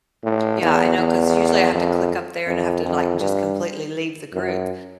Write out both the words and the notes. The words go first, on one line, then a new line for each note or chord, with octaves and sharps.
Yeah. I know. 'Cause usually I have to click up there and I have to, like, just completely leave the group.
A2
E2
E2
F2
F2
F2
G2
F#2